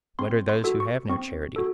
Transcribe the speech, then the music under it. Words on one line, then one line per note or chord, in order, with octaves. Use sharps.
What are those who have no charity?
C4 C6
C6
F#4 A4
C#6
C4 C#6
F#4 A4